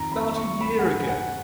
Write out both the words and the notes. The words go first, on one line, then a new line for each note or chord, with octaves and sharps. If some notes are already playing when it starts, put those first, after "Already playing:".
"About a year ago."
Already playing: F2 D#3 A#5
B5
C#6
B5
F#5
G#5
F#5